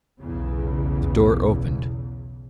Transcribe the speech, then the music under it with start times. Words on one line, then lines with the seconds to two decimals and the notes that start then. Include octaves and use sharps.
The door opened.
0.21 B1 E2 C#3